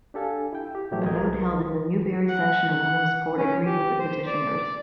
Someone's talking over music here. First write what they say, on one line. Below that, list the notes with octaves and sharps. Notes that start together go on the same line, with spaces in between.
A vote held in the Newberry section of Williamsport agreed with the petitioners.
D4 G4 A4 F5 G#5
E4 G5
G4
A2 E3 F#3 A3 E4 G4
C2 A#4 D#5 G#6
F#5
C#4
G4
C5
D5